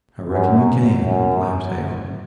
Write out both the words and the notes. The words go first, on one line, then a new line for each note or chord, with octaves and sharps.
"I reckon you can," laughed Hale.
F#2
F#2